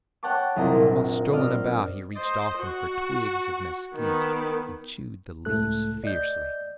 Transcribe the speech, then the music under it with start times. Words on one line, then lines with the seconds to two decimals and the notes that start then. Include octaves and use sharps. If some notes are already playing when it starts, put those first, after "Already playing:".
While strolling about he reached often for twigs of mesquite and chewed the leaves fiercely.
0.23 C#5 F#5 G5 A5 C#6 D6
0.56 F#1 C2 F4 D#5 A#5
0.73 A#1
1.31 C4 D5 D#5 F6
2.15 C5 D#5
2.58 F#4
3.95 D#3 B3
5.45 C#2 A2 A3 A4 F#6
6.04 D5 D#5 G6